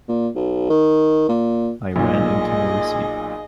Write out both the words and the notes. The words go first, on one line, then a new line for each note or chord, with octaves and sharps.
I ran into Morisi.
A#2
B1
D#3
A#2
B1 A#2 G#4 D#5